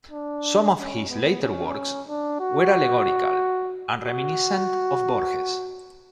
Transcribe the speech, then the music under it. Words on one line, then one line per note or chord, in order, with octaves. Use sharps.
Some of his later works were allegorical and reminiscent of Borges.
D4
C#4
B3
C#4
D4
F#4
F#4